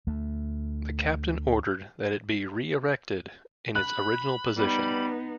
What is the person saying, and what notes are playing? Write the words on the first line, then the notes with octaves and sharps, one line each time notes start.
The Captain ordered that it be re-erected in its original position.
D2 A3
B5 F#6
G3 B3 D#4